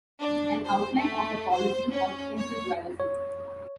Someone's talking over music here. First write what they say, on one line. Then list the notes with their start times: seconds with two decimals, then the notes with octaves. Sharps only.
An outline of a policy of individualism.
0.20 D4
0.65 C5
0.97 A3
1.52 C5
1.91 C#4
2.38 C#5
3.00 C#5